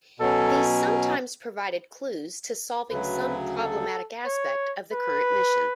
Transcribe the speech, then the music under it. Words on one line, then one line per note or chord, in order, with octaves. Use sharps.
These sometimes provided clues to solving some problematic aspect of the current mission.
B2 F#3 C#4 A4
D2 C#3 F#3 B4
A4
C#5
B4